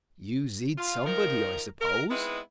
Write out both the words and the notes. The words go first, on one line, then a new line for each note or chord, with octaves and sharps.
"You zid somebody, I suppose?"
F4
D#3 F3 A#4
A#4
G#3 B3 C4 D#4 E4